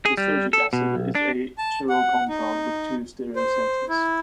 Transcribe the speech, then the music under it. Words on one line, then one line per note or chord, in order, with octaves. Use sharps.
Lysergic acid is a chiral compound with two stereocenters.
G#4
G3
A4
B2
B1
D4
A5
F#5
D#4
C5
E4